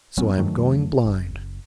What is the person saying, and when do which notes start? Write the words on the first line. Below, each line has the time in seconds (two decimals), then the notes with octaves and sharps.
So I am going blind.
0.17 F1 F#3 B3 C#4
0.37 F2 D#3 F#3 A3
1.05 F#1